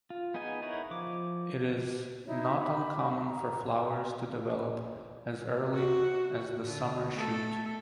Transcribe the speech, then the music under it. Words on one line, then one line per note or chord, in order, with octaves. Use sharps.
It is not uncommon for flowers to develop as early as the summer shoot.
F4
B3 D#4 G#4 D#5 G#5
D#4 E4 A#4 C#5 F#5
F3 D6
D#4 E4 C#5 E5
G4 B5
A#5
F#4
D3
A3 A4